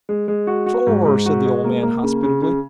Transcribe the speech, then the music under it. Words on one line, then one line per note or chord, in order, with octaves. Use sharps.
"Shore!" said the old man hospitably.
G#3
G#3
F#4
F#4
G#2
G#2
F#4
G#3
A#3
A#3
C#3
C#3
C#3